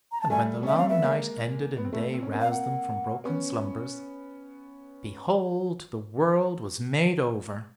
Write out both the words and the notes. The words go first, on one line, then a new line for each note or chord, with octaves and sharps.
And when the long night ended and day roused them from broken slumbers, behold, the world was made over!
A#5
A5
G3 A3 G#5
C#4 E5
C4 F5
B3 E5
G#3 A#3
B3
C4
A3 B3
C4
C#4
A#3 C4
F5
F#5
B3 C#4